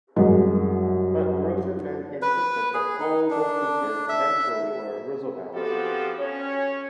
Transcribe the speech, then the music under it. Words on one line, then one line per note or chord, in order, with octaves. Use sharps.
But Rosenman insisted that all the speeches eventually were Roosevelt's.
C2 F#2 G#3 A#4 D#5
B4
G#4
D#4
D4
E5
F3 B3 C4 F#4 G4 A4
C#4 C#5